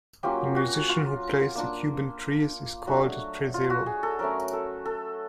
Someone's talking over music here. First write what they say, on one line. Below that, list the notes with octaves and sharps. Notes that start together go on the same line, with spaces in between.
A musician who plays the Cuban tres is called a "tresero".
F#3 A#3 C#4 F4 G4
F#4
F4
A#3 D4 F4
F#3 A3 D4 F#4
F4
F#4
G#4
A4
F#3 A3 C#4 A#4
A4
A4